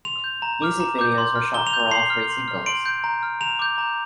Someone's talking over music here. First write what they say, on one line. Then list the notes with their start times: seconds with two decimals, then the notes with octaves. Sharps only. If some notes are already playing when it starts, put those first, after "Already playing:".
Music videos were shot for all three singles.
0.05 C6 F7
0.24 G6
0.42 A#5
0.62 D6 F6
0.80 A#5
0.99 D6 G6
1.18 C6
1.36 F6
1.54 A#5 G7
1.67 F7
1.73 G6
1.80 F7
1.91 C6 C7
2.10 F6
2.30 C6
2.48 F6
2.66 C6 D7
2.86 G6
3.04 A#5
3.23 F6
3.41 A#5 F7
3.59 D6 G6
3.78 A#5